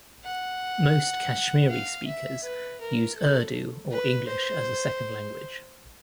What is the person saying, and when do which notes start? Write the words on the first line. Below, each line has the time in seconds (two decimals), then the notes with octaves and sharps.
Most Kashmiri speakers use Urdu or English as a second language.
0.24 F#5
1.70 F5
2.07 E5
2.43 B4
2.81 A#4
3.17 A4
3.91 B4
4.27 C5